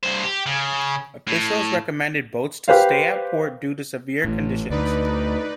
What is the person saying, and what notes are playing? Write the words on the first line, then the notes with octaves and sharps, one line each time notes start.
Officials recommended boats to stay at port due to severe conditions.
G2 C5
G4
C#3
A2
G4 B4 C5 F5
A1 A2
D2 D#4 B4 D5